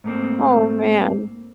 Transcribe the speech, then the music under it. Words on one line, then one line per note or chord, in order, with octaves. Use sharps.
Oh man.
G#2 A3 A#3 C4